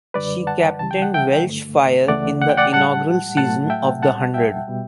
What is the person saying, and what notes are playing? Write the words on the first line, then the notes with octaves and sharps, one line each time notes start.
She captained Welsh Fire in the inaugural season of The Hundred.
F#2 D3 G3 B4 D5
F#5 A5
C#2 C#3 E3 G3 A5
G5
F#5
E5 G5
G2 D3 A3
D2 C#3 E3 A3 D5 F#5
F#5
G5
D5 F#5
A2 G3 F#5 A5
A2 F#3 A3 F#5 A5
E5 G5
C#2 B2 G3 F#5 A5
E5 G5
B2 G3